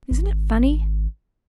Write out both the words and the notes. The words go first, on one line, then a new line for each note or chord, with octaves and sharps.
Isn't it funny?
G#1